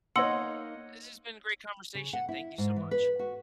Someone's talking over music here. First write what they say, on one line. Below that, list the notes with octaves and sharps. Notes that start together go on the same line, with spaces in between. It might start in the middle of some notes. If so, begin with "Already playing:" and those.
This has been a great conversation. Thank you so much.
A#3 D#4 C#5 D#5 F#5 C6 E6 C#7
C#3
F#5
E4
G#2
E3
B4
F#4